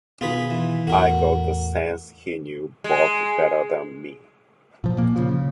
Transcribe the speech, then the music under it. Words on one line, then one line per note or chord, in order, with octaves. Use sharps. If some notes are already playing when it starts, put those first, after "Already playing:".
I got the sense he knew "both" better than me.
B2 D#3 F4 G#4 B4
E3
E2 A2 A3 F#4 A#4
G#3
A#2 F3
A#2 A#3
C#3 F3
C#3